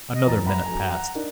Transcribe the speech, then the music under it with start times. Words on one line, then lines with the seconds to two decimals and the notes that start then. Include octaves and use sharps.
Another minute passed.
0.14 D#5
0.27 E2 A#5 A6
0.46 E5 F#5 A#5 B5
0.66 F#2 A4 G#5
0.91 F#5 F#6
1.15 D4 D#4 A#4